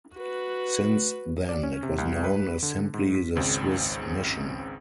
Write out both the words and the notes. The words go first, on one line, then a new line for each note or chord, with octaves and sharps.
Since then it was known as simply the Swiss mission.
F#4 B4
D5
C#4
C3
C2
B4
D3
G#2
B6
G#1 C#2 C#3 C4